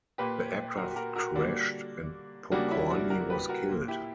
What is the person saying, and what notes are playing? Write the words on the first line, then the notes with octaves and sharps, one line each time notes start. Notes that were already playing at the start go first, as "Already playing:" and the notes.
The aircraft crashed, and Pokorni was killed.
A#2 A#3 G4 B4
F#4 A#4
G4
F#4 A#4
F#4 A#4
D3 G3 A#3 D4 F#4
C#3 G3 A#3 D4 F#4
C#4 E4
D4 F#4
F#4 A#4
G4 B4
F#4 A#4
A#2 A#3
E4 G4